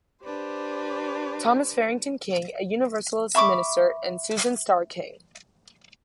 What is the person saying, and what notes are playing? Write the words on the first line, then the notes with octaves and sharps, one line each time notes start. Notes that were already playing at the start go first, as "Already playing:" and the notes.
Thomas Farrington King, a Universalist minister, and Susan Starr King.
D4 G4 B4 C5
E5 B5 C#6 D6